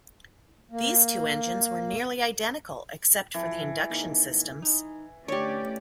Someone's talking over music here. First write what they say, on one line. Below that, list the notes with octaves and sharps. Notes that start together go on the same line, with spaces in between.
These two engines were nearly identical, except for the induction systems.
A#3
F2 E3
G#2 D#3 A#3
D#4
D3 A3 C#4 G4 C#5 D5